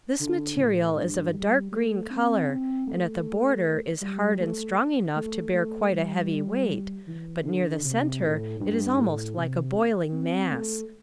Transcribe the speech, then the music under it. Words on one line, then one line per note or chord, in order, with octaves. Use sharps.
This material is of a dark green color and at the border is hard and strong enough to bear quite a heavy weight, but near the center it is almost like a boiling mass.
D3
A2
G2
G3
A3
C4
C4
A3
G3
A3
A3
A3
G3
E3
D3
C3
A2
G2
A2
C3
C4
A3